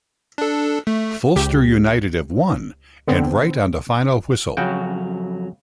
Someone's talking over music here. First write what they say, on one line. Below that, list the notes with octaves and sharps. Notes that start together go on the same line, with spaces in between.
Fulchester United have won, and right on the final whistle!
D4 A4
A3
C#2 G4
D3 B3 C4
F2 C#3 F#3 F#4 G5